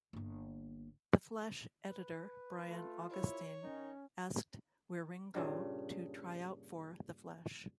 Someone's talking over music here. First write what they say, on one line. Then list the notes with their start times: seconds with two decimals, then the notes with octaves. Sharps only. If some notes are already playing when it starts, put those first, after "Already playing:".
"The Flash" editor Brian Augustyn asked Wieringo to try out for "The Flash".
0.13 G1 A#3
1.90 B4
2.67 A3 F4
3.10 C2 E4 C#5
3.63 D#3 C#4 D#4
5.35 G2 A#2 C#3